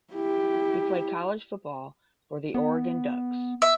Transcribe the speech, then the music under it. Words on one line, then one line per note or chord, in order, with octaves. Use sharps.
He played college football for the Oregon Ducks.
E4 G4
B3
E5